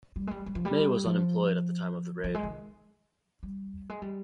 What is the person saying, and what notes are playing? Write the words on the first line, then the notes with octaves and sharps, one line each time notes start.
Maye was unemployed at the time of the raid.
G3
G#3
G3
G3
F3
G3
F3
F3
G#3
D#3
G3
G#3
G3